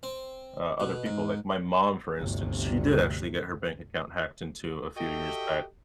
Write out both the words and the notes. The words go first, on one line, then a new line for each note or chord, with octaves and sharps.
uh, other people like my mom, for instance, she did actually get her bank account hacked into a few years back.
C4
B2
G#2
G1 D2 C3
F#4 G4 A4 D#5 E5 G5